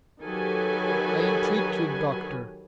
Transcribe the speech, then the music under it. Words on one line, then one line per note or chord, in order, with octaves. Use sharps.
"I entreat you, doctor!"
D#3 F#3 G4 A4 B4 G#5